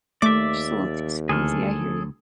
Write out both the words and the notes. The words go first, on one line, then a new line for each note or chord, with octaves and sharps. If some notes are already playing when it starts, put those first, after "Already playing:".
Just a little too skeezy, I hear you.
D#2 A3 D5 E5 D6
D2 G#4 A4 F6